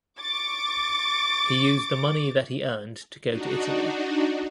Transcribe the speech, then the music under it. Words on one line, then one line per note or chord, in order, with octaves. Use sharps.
He used the money that he earned to go to Italy.
C#6 D6 A6
D4 D#4 F#4